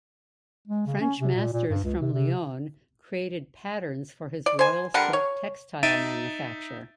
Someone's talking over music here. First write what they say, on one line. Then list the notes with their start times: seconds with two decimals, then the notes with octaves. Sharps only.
French masters from Lion created patterns for his royal silk textile manufacture.
0.68 G#3
0.86 C#3
1.01 C#4
1.18 C3
1.35 A#2
1.52 A#2
1.70 G2
1.83 C#2
2.00 C3
2.13 C3
4.46 D5
4.59 C5 G#5
4.94 D3 G3 A#4 F#5
5.13 C#5
5.83 D#4 E5 A6 D7 D#7